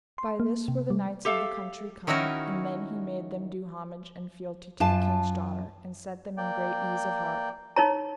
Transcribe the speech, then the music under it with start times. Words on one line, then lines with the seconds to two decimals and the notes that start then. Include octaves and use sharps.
By this were the knights of the country come, and then he made them do homage and fealty to the king's daughter, and set them in great ease of heart.
0.18 C6
0.40 A#3
0.68 C3
0.90 G3
1.25 G4 A4 E5 F5
2.07 D#3 C#4 D#4 E4 F#4 A#4
4.80 F#2 F4 A5
6.37 A#3 D5 G5
7.76 D#4 C#5 A#5